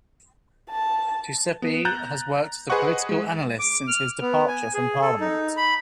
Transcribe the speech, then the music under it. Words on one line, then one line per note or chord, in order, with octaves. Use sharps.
Duceppe has worked as a political analyst since his departure from parliament.
A5
B3
A#5 F#6 G6 A6
G#4 B4 C5 D#5 F#5 C#6
G#3
D6
F6
B3
G#5
G#4
A4
D#4
B5